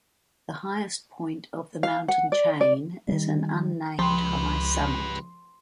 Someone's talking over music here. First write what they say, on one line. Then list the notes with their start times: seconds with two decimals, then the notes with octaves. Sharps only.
The highest point of the mountain chain is an unnamed high summit.
1.83 F5
2.08 F#5
2.32 D5
2.61 D5
3.09 D#3 G3
3.99 C#2 F3 G4 B4 C6